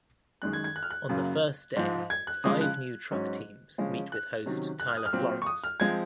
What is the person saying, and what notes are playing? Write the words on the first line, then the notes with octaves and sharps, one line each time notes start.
On the first day five new truck teams meet with host Tyler Florence.
F#2 D#3 G#3 F#6
G#6
G#6
F#6
F6
F#6
F#2 C#3 F#3 A#3
G#2 F3 G#3
G#6
F#6
C#3 F3 G#3 D#6
F#6
G#2 F#3 C#4
C#3 F3 G#3 C#4
F#6
C3 D#3 F#3 C#4
F#6
F6
D#6
F6
A#2 F#3 C4
C#6
D#6
F6
F3 G#3 C4 G#6